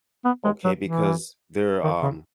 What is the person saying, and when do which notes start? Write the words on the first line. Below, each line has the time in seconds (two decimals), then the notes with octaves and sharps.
okay, because there, um,
0.25 B3
0.44 G#3
0.64 F#3
0.84 E3
1.84 D#3
2.03 C#3